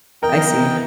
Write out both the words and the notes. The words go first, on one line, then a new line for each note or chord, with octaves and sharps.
I see.
E3 B3 A#4 D#5 G5 A#5